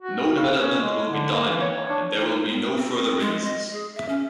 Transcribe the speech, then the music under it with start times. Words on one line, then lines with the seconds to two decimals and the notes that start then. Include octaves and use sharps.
No development will be done anymore, and there will be no further releases.
0.03 F#4
0.34 C#3
0.59 C#4
0.82 G#3
1.10 D3
1.32 A#3
1.48 E3
1.61 C#5
1.89 D4
2.19 D#4
2.50 B3
2.76 C4
3.20 G#3
3.45 D#5
3.72 G#4
3.95 E5
4.09 C#4